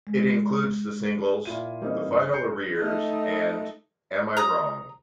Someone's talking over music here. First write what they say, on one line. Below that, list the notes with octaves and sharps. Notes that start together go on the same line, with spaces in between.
It includes the singles "The Final Arrears" and "Am I Wrong".
G#3
A#2 E4 F4 D#7
E3 G3 A#3 C4 C#4 D#4
G2
G6 C7 C#7
A3 D#4
A#5 D#6